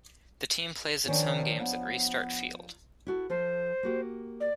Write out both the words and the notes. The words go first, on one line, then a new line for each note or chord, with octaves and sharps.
The team plays its home games at Restart Field.
D#3 F3 C#4 D4
B3
E4 F#4 A4
F3 A4 C5
A#3 F#4 G4
D5